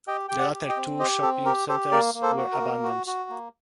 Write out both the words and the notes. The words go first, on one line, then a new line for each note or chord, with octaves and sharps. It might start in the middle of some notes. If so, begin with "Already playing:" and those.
The latter two shopping centres were abandoned.
G4 D#5 G5
G4 G5
D5 F#5
G4
D#5 G5
C4
G4 C5 D#5
C4 A4
G4 A#4
G4 A4 C5
A#3 A#4 D5
A#3
A4 C5
F#4
A#4
A#3
F#4
F#4
A#3